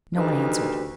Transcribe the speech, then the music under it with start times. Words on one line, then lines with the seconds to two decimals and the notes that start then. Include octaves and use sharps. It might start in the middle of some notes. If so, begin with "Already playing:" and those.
No one answered.
0.16 D2 D#4 G4 A#4 B4